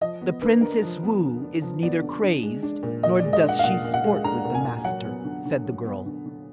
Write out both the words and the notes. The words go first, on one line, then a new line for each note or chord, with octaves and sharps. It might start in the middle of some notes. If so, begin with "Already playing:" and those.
"The Princess Woo is neither crazed nor doth she sport with the master," said the girl.
F3 D#5
B3
D3 B4
D4 A#4
F3
B3
D3
D4
F3
B3 D5
D3
D4
G#3
D4
A#2
A#2 D#5
D5
G#3
D#5
D4
F#5
F5
A#2 F#5
A#2
F#5
G#3
D4 A#5
A#2
G#5
A#2
F#3 F#5
B3
D3
D3
F#3
B3
D3
D3